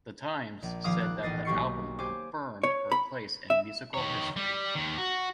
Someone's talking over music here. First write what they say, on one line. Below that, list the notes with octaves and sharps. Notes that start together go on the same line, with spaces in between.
"The Times" said that the album "confirmed her place in musical history".
A#1
D#1 F3 G#4 F5 D6 D#6
F#6
A1 B3 G#4 D#5 A6 C7
B1 A#3 G4 C#6 C7 C#7
G4 C5 G#5 D6
C#5
B5
E5
D#3 C#5
G3
D#2 D#3
F#4